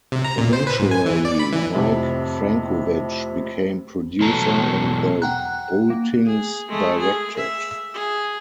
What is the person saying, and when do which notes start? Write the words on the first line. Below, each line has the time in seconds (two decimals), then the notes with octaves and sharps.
Eventually Mike Frankovich became producer and the Boultings directed.
0.12 C3
0.25 A#5
0.38 A#2
0.53 C5
0.67 B4
0.79 G#2
0.91 G#5
1.06 E3
1.25 D5
1.40 B5
1.52 E3
1.74 F2 A2 C3
4.20 E2 B2 F#3 A4 A#5
5.22 F#5 G5 A#5 F#6
5.90 A#3
6.25 G#4
6.69 G#3 A3
6.99 G#4
7.37 E5
7.94 G#4